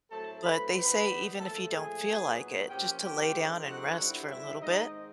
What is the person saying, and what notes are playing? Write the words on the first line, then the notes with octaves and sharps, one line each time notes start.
But they say even if you don't feel like it, just to lay down and rest for a little bit,
A2 F#3 A3 C4 A4 A5
B4 B5
D#3 G3 B3 D#4 B4 B5
A#2 F3 A3 A4 A5
G#4 G#5
A#2 F#3 B3 D#4
C3 F3 A#3 C#4 F4 G4 G5
G4 G5
D3 F3 G#3 C4 D#4
F#4 F#5
G2 D3 G3 C4 E4
E4 E5
G#2 D#3 G#3 C4 D#4 D#5